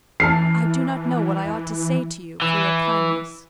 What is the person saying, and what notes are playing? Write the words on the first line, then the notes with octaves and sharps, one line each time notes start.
"I do not know what I ought to say to you for your kindness."
E3 A5 F6 C7
E3